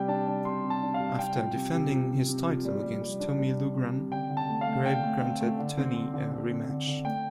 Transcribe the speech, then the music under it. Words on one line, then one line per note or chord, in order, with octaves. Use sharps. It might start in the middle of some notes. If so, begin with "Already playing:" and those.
After defending his title against Tommy Loughran, Greb granted Tunney a rematch.
Already playing: C3 G3 G5
D4 A5
D4
C3 C6
C3
A5
D4
F5
G3
C3 G5
F3
C3
C3
F3
C3
C3
F3
G3
G3
G3
D4
G3
C3
C3
C3
D3 G5
D3
A5
A3
F5
A3
D3 G5
A3
C4
A3
D3
C4
C4
D3
D3
C4
D3
D3
A3 G5